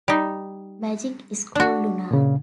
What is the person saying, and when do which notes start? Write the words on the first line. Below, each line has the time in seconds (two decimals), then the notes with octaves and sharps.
Magic School Lunar!
0.08 G3 D#4
1.55 D4 F#4
2.11 A#2 C#3